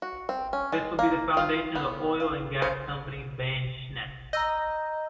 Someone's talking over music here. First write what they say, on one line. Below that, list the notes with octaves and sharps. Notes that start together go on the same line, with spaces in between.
This would be the foundation of the oil and gas company Bashneft.
F#4
C4
C#4
G#3
A#3
F4
B3
F4
C5
D#5 A#5 E6 G6